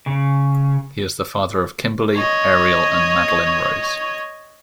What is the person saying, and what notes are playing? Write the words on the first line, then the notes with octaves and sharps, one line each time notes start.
He is the father of Kimberly, Ariel and Madeline Rose.
C#3
C#5 D#5